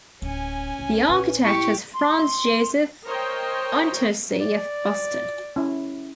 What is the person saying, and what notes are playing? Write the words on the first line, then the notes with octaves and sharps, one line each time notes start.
The architect was Franz Joseph Untersee of Boston.
D1 C#4 D#4 G#5
C2 F4
A#1 B4
E4 G4 C#6
C6
A#4 C5 C#5 D#5 G5
D5
C#4 E4